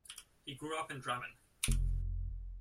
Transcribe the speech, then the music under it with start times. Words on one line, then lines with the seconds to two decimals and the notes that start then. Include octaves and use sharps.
He grew up in Drammen.
1.68 F1